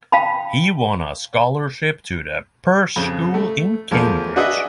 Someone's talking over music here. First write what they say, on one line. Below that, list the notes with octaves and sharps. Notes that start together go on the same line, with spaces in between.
He won a scholarship to The Perse School in Cambridge.
F5 G5 A5 B5
F2 C#3
A3
E2 F3 A3 A#4
D4 F#4 G#4 B4 D#5 E5